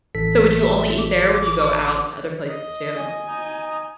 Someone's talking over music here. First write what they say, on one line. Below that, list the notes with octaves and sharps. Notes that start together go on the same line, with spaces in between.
So, would you only eat there or would you go out to other places too?
A1 A4 B6
E5
D6
D#5
G#5
D#4